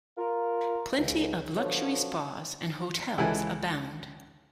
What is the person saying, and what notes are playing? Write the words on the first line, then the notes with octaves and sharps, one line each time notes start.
Plenty of luxury spas and hotels abound.
F4 A#4
C#2
B2 D3 F3 F#3
C#2 E3 G#3 E4 A4 G#5